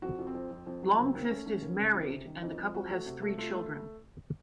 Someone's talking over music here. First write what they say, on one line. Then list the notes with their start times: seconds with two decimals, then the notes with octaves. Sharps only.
Blomqvist is married and the couple has three children.
0.02 F2 F#4
0.19 F2
0.27 C4
0.35 F2
0.51 F2
0.67 F2
0.83 F#3
0.98 C#3 C4
1.14 D#2 C4
1.31 A3 C#4
1.46 A3 C#4
1.62 D#2
1.79 C#3
1.94 F2
2.10 C3
2.27 D#3
2.42 F2 D#4
2.58 F2
2.74 F2 F#4
2.90 A3 F#4
3.06 C3
3.22 A3
3.38 A3 F4
3.54 A3